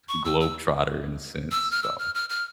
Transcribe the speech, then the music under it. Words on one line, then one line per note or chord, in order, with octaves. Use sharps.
globetrotter in a sense. So,
C#6
E6
E6
E6
F6
E6
F6
F6
F6